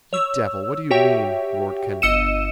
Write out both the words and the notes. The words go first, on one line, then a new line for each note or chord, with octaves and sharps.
"You devil, what do you mean?" roared Kennedy.
C#5 E6
F#4 G4 C#5 E5 G5
G1 D#5 E6 C#7 D#7 E7